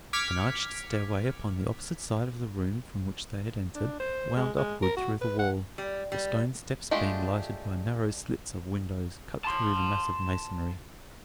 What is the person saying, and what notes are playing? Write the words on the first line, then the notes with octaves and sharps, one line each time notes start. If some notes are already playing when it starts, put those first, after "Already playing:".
An arched stair-way upon the opposite side of the room from which they had entered wound upward through the wall, the stone steps being lighted by narrow slits of windows cut through the massive masonry.
D6 F6 G#6 B6 C#7
D4
C5
G#3
G#3
A#4
F#4
B4
F#5
G3
G3
G#3 A3 D4 F4 G4
A5 C6